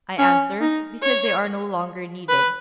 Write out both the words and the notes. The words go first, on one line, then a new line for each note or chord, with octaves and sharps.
I answer: Because they are no longer needed.
C#4
D#4
C#5
B4